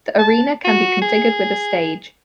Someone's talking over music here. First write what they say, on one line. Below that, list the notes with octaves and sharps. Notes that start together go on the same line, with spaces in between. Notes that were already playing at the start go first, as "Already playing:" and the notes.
The arena can be configured with a stage.
A5
F#4
G#4